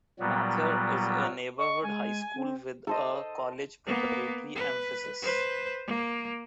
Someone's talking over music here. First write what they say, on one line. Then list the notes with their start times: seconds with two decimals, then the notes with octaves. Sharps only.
Mather is a neighborhood high school with a college preparatory emphasis.
0.20 A#2 F#3 G3 B3
1.58 D#5 C#6
1.83 G#3 G#5
2.34 C4
2.87 A4 C5 D#5
3.87 A#3 B3
4.55 B4
5.22 B4 C5
5.87 A#3